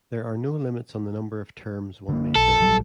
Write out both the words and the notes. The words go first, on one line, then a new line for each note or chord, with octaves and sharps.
There are no limits on the number of terms one may serve.
D3 A#3
B1 A4
A#1 F#3 G3